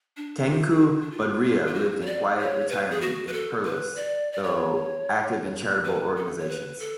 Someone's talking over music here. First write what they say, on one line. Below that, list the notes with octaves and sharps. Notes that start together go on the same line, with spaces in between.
Tengku Budriah lived in quiet retirement in Perlis, though active in charitable organisations.
D4
F4
G#4
F#4
D4
F4
F4
F4
F#4
C#5
D5
C#5
B4
G#4
F#4
B4
A4
B4
D5
D5
C#5
B4
A4
C#5
B4
A4